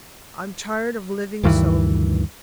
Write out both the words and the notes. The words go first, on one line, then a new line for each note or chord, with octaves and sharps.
I'm tired--of living so.
D2 G2 D#3 E3